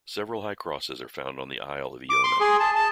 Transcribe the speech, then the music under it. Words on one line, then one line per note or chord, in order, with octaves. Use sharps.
Several high crosses are found on the Isle of Iona.
D6
C6
G#4
A5
A5